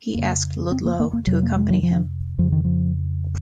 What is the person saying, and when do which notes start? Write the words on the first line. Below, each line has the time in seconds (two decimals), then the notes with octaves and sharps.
He asked Ludlow to accompany him.
0.15 F2 C#3 A#3
0.71 C4
0.85 A#3
1.00 A#3
1.13 A#3
1.27 F2 C3 F#3
1.43 A#3
1.56 G#3
1.70 F#3
1.83 F3
2.38 F2 C#3 F3
2.52 D#3
2.64 F3